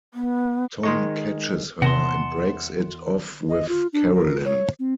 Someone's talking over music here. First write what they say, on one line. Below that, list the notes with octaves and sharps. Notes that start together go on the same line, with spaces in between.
Tom catches her and breaks it off with Carolyn.
B3
D#3 G#3 D#4 C6 C#6
E2 C3 F#5 A5 C6 A#6
D#5
F4
D4
A#4
C#5
C4